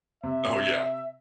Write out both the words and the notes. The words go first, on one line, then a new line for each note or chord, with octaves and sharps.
Oh, yeah.
C3 E5